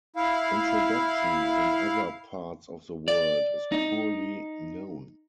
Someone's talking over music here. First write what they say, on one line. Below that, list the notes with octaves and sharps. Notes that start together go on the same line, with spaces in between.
Introduction in other parts of the world is poorly known.
E4 F5
D5
D#4